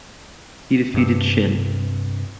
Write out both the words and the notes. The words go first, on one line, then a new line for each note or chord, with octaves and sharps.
He defeated Shinn.
G2 C3